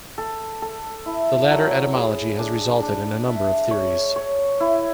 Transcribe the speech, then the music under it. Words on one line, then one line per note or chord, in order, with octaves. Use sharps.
The latter etymology has resulted in a number of theories.
A4
A4
E4
F#3
G#4
D4
D4
E5
C#5
C#5
E4